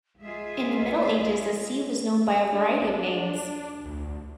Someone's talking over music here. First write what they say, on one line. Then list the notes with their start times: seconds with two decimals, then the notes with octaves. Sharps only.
In the Middle Ages the sea was known by variety of names.
0.21 G#3 F4 G#4 E5
2.52 D4
3.85 D2